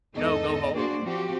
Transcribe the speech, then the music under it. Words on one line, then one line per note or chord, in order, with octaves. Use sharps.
"No, go home.
E2 G#2 D#4 A4 D#5
A#3 D4 F#4 G#4 C5 D5
F3 C4 F#4 G4